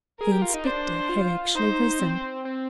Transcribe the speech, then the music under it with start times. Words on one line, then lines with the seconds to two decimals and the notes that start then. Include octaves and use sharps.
The inspector had actually risen.
0.19 G#4 A#4
0.32 G4
0.42 F4
0.54 D#4
0.64 D4 C5
1.09 F4
1.55 D#4 C5
2.00 C4
2.45 C4